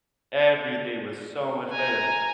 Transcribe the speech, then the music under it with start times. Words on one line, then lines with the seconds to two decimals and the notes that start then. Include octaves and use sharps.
Everything was so much better,"
1.72 G#5 A#5